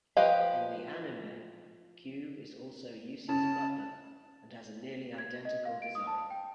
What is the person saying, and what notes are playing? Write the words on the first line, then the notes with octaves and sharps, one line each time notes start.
In the anime, Cube is also Yucie's butler and has a nearly identical design.
F3 G4 B4 D#5 F5
C#3 A5
G#6
D#5
F5
D7
D#6
A5
G5